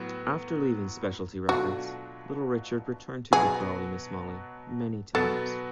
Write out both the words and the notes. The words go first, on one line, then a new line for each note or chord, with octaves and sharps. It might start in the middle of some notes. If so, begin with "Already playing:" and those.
After leaving Specialty Records Little Richard returned to "Good Golly, Miss Molly" many times.
Already playing: A2 F#3 B3
B2 F#3 A3 D4 F4 F#4
B2 F#3 B3 G#4
B2 F#3 B3 A4